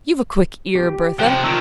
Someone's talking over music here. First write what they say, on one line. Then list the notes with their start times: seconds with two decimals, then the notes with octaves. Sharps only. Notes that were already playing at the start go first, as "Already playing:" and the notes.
You've a quick ear, Bertha.
0.75 G4
1.19 C3 F3 G5 F#6
1.44 D3 D#3 F4 C#6 E6